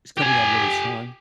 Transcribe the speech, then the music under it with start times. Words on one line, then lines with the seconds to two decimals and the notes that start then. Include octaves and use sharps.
It's coming on really strong?
0.18 G4 G#5